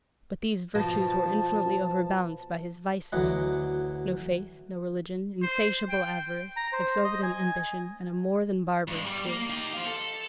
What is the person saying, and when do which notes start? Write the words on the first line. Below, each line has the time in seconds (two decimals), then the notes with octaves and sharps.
But these VIRTUES were infinitely overbalanced by his VICES; no faith, no religion, insatiable avarice, exorbitant ambition, and a more than barbarous cruelty.
0.75 B2 F3 F4 A5
3.12 D2 E3 F#3 D#5 F#5
5.42 C5
5.90 G5
6.57 A#5
6.73 C5
7.04 D#5
7.23 G#5
8.88 G2 G#3
9.05 G3
9.26 A#3
9.50 D#4 G4
9.73 C5 F5
9.86 A4